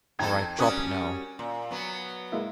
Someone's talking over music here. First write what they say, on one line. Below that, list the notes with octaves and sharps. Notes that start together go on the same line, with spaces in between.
All right, drop it now.
F2 D#4 A4 G5 G#6
G3 C#4 F#4 A#4 D#6
A#2
F#3 B3
G#3 A#3 E4